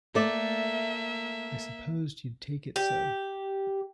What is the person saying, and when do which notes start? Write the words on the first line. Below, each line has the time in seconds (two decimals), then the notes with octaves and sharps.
I supposed you'd take it so.
0.15 A3 A#3 D5 E5
2.76 G4